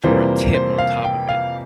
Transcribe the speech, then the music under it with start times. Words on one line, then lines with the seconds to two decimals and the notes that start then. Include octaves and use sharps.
for a tip on top of it?
0.04 F2 C3 E3 G3 A#3 C5
0.54 C5
0.78 F5
1.04 G5
1.29 F5